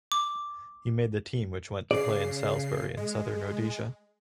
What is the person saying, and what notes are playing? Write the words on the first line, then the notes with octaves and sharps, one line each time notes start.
He made the team which went to play in Salisbury in Southern Rhodesia.
D6
C#3 G#4 D5 C7
G#3